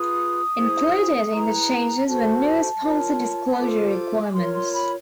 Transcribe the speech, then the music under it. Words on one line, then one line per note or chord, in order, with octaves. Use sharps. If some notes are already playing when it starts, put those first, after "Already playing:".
Included in the changes were new sponsor disclosure requirements.
Already playing: F4 G#4 B4 D#6
E4 G#4 C5
E4 G#4 B4 A#5
F#4 A4 C5 A5
F4 A#4 C#5
F4 A4 C5 D6
F4 A#4 C#5 C6
C6
B5